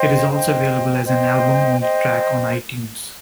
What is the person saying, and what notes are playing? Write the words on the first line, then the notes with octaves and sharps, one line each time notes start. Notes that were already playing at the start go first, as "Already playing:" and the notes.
It is also available as an album-only track on iTunes.
Already playing: C5 D#5 G5
C5 D#5 G5
C5 D#5 G5
C5 D#5 G5